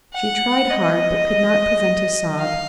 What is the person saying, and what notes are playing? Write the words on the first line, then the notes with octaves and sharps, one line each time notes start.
She tried hard, but could not prevent a sob.
F#5
D#5
F5